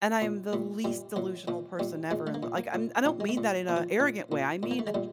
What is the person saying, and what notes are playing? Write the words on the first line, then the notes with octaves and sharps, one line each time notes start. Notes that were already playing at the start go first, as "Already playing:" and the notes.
and I am the least delusional person ever in the like, I'm I don't mean that in a arrogant way. I mean,
A#2
A#2 A3
A#2 G3
A#2 F#3
A#2 F3
A#2 G3
A#2 G#3
A3
A#3
A#2
A#3
A#2
A#2 C4
G#3
A3
A#2
A#2
F3
A#2
A#2
A#2
A#3
A3
G#3
A#2 G3